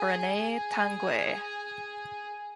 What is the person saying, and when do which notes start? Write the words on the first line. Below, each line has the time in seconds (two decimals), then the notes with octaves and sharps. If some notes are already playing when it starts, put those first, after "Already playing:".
Rene Tanguay.
Already playing: G#4
0.32 G#4